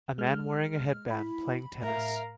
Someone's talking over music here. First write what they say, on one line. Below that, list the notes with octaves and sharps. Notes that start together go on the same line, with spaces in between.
A man wearing a headband playing tennis.
G#3 F6
E4 B5
A2 A#4 E5 F5